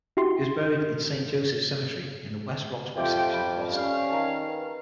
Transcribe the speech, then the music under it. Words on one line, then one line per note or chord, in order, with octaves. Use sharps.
He was buried in Saint Joseph Cemetery in the West Roxbury section of Boston.
E4 F#4 G4 C6
F2 F4 G4 E5 G5 D6
B5
C#4 G4 D5 F5
D#3 A5 A#5
B4